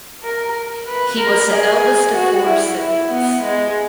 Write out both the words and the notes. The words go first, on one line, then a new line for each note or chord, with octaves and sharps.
He was the eldest of four siblings.
A#4
B4
A#4
G#4
F#4
E4
E4
B3
G#3